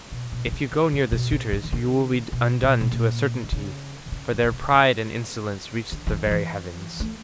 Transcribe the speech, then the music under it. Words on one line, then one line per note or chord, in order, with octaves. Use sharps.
If you go near the suitors you will be undone to a certainty, for their pride and insolence reach the very heavens.
B2
B2
D3
C#3
C3
C3
B2
C3
C#3
D#3
D3
B2
B2
B2
A#2
D3
C#3
C3
C#3
D3
B2
C3
C#3
D3
D3
D#3
F3
E3
A3